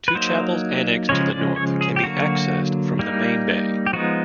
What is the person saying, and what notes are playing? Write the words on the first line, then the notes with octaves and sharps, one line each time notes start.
Two chapels annexed to the north can be accessed from the main bay.
B4
F#3 A#3 D#4 C5
C#3 F3 G#3 C#4 C#5
D5
C#5
G#4
G4
D3 F#3 A#3 F#4
G3 A#3 D#4
G4
F3 G#3 B3 D#4 F#4